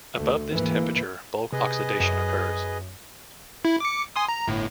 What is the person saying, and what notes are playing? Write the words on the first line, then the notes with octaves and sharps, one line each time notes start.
Above this temperature bulk oxidation occurs.
D2 D3 A3
G#2 E3 A#3
C3 G#4 B4 D#5
F#2
E4
D6 C#7
G#5 C6 D#6
A#5
G1 A2